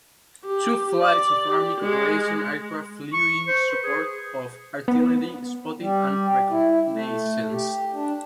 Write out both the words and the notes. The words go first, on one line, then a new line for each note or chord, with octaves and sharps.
Two flights of Army Cooperation aircraft flew in support of artillery spotting and reconnaissance.
G4
D5
G4
G#3
C#6
C5
B4
G#4
B3
G3
E4
A3
G4
D4